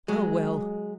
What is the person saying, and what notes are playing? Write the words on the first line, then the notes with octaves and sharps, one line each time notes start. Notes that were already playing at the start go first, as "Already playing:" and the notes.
'Well! well!
F#3 G#3